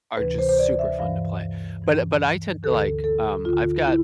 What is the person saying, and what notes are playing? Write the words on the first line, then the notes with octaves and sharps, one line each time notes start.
are just super fun to play, but uh, but I tend to, like um, I've got p
D2 C3 E3 B4
C5
C5
D5
E5
G2 E3 F5
G2 E3
D2 D3 A4
A4
D2 D3 F4
E4